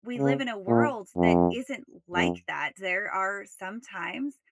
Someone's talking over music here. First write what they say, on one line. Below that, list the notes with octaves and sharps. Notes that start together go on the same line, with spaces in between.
we live in a world that isn't like that, there are some times
C#3
A#2
F2
F2